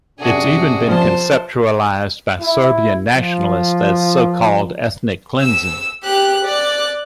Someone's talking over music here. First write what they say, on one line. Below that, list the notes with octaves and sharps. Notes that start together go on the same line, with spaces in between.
It's even been conceptualized by Serbian nationalists as so-called ethnic cleansing.
F#2 C3 D4 F#4 G#4
F3 C5 A5
E4
F3
E6 E7
G4 F#6
D5 F#6